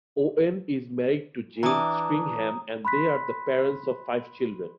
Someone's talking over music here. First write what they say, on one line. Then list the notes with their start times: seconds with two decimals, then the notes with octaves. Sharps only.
Owen is married to Jane Stringham and they are the parents of five children.
1.63 E3 D4 A#5 D#6
2.85 B5 C6 F#6 B6